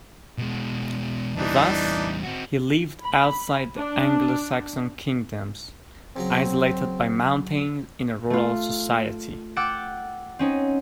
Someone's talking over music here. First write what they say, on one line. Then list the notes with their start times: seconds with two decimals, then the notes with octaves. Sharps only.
Thus, he lived outside the Anglo-Saxon kingdoms, isolated by mountains in a rural society.
0.38 B2 G#3
1.35 E2 E3 G3 D4 D#4
2.23 C4 F#4
3.04 B5
3.77 D4
6.16 C#3 F#3 C4 A#5
8.30 A3 F4
9.56 F#5 G5 D6 E6 A6
10.39 C4 C#4 D#4